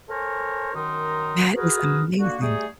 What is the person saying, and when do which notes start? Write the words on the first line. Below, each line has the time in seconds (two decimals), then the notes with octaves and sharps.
That is amazing.
0.09 A4 A#4 C5 C#5 G#5
0.74 F#2 D#3 D#4 A#4 C6
1.56 F#4 G#4 A#4 B4 D#6
2.19 D3 A#3 F#4
2.41 G3 A3 D#4 G#4